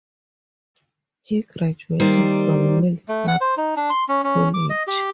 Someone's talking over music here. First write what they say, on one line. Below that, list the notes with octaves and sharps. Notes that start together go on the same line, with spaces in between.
He graduated from Millsaps College.
D#3 G3 A#3 C5 D5
A3
F#5
C5
D#4
D4
C6
C#4
C#4
D6
D#5
G4